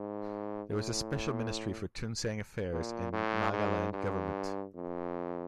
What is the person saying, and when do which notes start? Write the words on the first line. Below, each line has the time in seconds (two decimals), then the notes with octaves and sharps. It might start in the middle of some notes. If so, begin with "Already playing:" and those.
There was a special Ministry for Tuensang Affairs in Nagaland Government.
Already playing: G#2
0.71 A2
2.72 A#2
3.12 A2
3.53 G#2
3.93 G2
4.75 F2